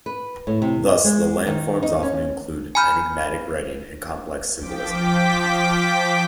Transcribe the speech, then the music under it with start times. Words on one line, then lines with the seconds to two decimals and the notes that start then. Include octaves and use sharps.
Thus the landforms often include enigmatic writing and complex symbolism.
0.06 B4
0.47 A2
0.62 C3
0.89 D#5
1.04 G#3
1.47 D#3
1.83 D#4
2.03 C#4
2.75 G#5 A#5 B5 F6 G6
4.58 F3 G5 D6 B6